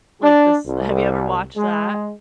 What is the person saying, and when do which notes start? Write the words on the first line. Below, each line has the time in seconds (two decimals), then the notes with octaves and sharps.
Like this have you ever watched that?
0.22 D4
0.65 C2
1.56 G#3